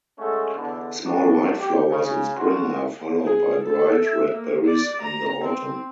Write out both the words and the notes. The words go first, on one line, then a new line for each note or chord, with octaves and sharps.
Small white flowers in Spring are followed by bright red berries in the Autumn.
G#3 A3 C#4 F#4 A4
E2 B2 D3
A1 E2 B3 D4 F#4
G4
C#3
C2 F4 F#4
G#4
A4
E5
A#3
D5
A#5
C4